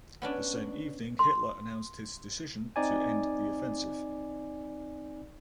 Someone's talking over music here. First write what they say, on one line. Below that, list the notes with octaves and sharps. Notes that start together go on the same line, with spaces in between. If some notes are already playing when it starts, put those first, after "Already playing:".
The same evening Hitler announced his decision to end the offensive.
B3 C#4 D4
C6
C4 D#4 D5 G#5